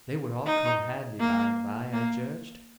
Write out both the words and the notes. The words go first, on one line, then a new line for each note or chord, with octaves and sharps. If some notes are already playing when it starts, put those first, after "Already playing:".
They would all come handy by and by, I judged.
D#4
A#3
A#3